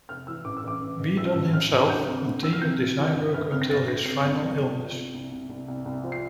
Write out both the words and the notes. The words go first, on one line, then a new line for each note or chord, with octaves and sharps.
Weedon himself continued design work until his final illness.
F1 F6
E3 E6
A1 D6
E6
A1 D6
A1
A1
A1 E6
F6
A1 E6
A1 F6
A1
D2 G6
C3
D2
D2 E6
F6
C3 G6
C3
E3
D2
G1 F6
C3 F6
A#6
G1 A6
G1 A#6
C3 C7
C2
C2
C2
F3
C2
C2
C2
C2
C2
C2
F3
C7